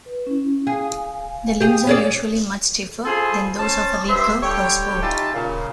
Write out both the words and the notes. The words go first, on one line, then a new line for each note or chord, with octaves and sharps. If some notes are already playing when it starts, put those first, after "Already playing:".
The limbs are usually much stiffer than those of a recurve crossbow.
B4
C#4 E4
G#4 F5 G#5
G4 G#4
C#4 G#4 D5
E4 F4 G#4 A4 C5
C#4 C5 A5
G2 C5 E5
D3 G3 G4 C#5 G5
E3 D#4 F4 G4 E5 A5
A#2 C#3